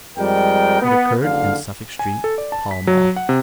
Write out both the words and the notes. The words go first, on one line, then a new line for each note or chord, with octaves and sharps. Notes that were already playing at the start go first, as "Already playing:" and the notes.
What Occurred in Suffolk Street, Pall Mall.
F2 G3 G#3 A#4 G5
B3
F#1 D3 F5
G#5
A4
D5
A5
B6
F#3
F#5
C3